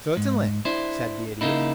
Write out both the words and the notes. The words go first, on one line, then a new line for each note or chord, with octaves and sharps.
"Certainly," said the Idiot.
G#2
D4 E4 C5
C#3 A#3 D#4 E4